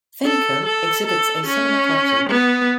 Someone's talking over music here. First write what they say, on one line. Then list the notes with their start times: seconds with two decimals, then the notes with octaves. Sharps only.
Fernico exhibits a similar property.
0.25 A4
0.65 A4
1.06 A4
1.47 C#4
2.29 B3